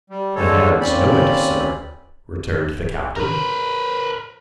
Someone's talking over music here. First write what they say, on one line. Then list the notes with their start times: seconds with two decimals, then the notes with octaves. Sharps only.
"The hands know it, sir," returned the captain.
0.10 G3
0.35 D3 G#3 A4 C#5
0.81 D#2 C4 C#4 D5 B5
3.16 A#4 B4